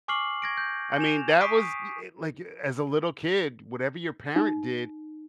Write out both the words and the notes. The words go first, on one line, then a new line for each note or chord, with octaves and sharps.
I mean, that was, i eh, like, as a little kid, whatever your parent did,
G#5 C#6 D6 F6 C7 F#7
C#6 G#6 A#6 D7
G6
G#5 G6 E7 F7
C#6 D#6 B6 C7 D7 D#7
D#6
D#4